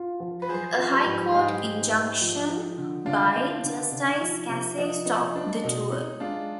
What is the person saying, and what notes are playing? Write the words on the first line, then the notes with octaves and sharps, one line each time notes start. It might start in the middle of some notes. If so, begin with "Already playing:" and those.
A High Court injunction by Justice Casey stopped the tour.
Already playing: F4
F3
B4
F3 G#4 C5
F3
G4 B4
G#2
G#4
G#2 D#4 G4
G#2
G#2
F3
F3
D3
D3 D4 F4
C4
D3
C3
F3
C3
F3 D#4
C4 D#4
C4 D4
B2 D#4
C4 D#4
G#3 D4 F4